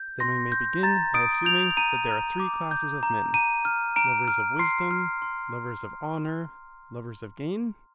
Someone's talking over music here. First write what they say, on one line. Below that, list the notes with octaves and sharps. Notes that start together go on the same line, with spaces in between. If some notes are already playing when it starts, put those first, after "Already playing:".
Then we may begin by assuming that there are three classes of men--lovers of wisdom, lovers of honour, lovers of gain?
Already playing: G6
C6 A#6
G6
A#5 A6
D#6 D7
G6 F7
A#5 D#7
A#5
D6
G6
A#5
A#5 D#7
F6
A#5 D7
F6
C6 C7
F6
C6